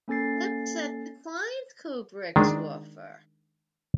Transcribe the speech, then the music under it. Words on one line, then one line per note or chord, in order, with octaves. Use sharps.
Lipsett declined Kubrick's offer.
A#3 C#4 A4 A6 C7
D#3 G#3 D4